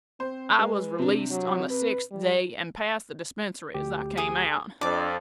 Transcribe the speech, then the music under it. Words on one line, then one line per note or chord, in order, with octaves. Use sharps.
I was released on the sixth day and passed the dispensary as I came out.
C4 C5
G#3 B4
C3 D4
F#3
B4
G3
D2 G4
G#4 D#6
F2 D4 D5 D6